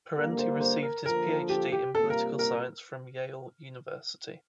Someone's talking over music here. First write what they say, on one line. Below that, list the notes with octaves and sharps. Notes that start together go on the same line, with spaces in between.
Parenti received his PhD in political science from Yale University.
D3 G3 A#3 A#4
C5
C5
A#4
D3 F3 A#3 F4 A4 A#4
G4
G4
C3 G3 A#3 F4 A4
A#4
A#4